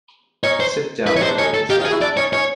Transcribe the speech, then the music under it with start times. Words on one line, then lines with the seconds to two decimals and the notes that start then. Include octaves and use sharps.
"Sit down, my dear," he said.
0.43 C#4 D#4 C#5
0.60 C5
1.07 E4 B4
1.16 D#4 C#5
1.22 C5
1.27 D4
1.38 C#4 D#4 C#5
1.54 A4
1.70 D#4 F4 G4
1.80 D#4 F4
1.85 G#4
1.90 E4 F#4
2.01 D4 E4 D5
2.17 C#4 D#4 C#5
2.32 C#4 D#4 C#5